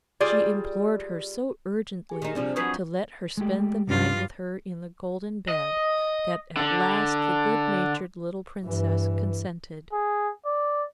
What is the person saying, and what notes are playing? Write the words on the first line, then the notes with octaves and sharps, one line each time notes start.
She implored her so urgently to let her spend the night with her in the golden bed, that at last the good-natured little Princess consented.
G3 F4 G#4 D5
G4 G#4 G#5
D#3 D#4 G#5
C3 F3 G3 C4 D4
F3 F#3 G#4 B4 C#6 G6
G#3 A3 G4
C2 G2 C#4 F4
D#5
D3
G2 E3
G#4
D5